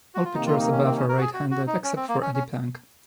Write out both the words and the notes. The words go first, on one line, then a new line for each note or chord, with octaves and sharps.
All pitchers above are right-handed, except for Eddie Plank.
F#4
F4
C3 D#3 A#3 D#4
F4
D#4
C#4
C4
C#4
A#4
F#4
G#4
F#4
F#4
D#4
C#4
C4
A#3
C#4
C#4